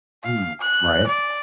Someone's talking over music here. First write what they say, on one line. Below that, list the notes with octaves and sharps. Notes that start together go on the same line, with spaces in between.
Mm, right?
F5
F#6
D5